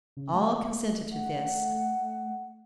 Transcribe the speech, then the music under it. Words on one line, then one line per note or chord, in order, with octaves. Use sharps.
All consented to this.
C#3
A3
F#5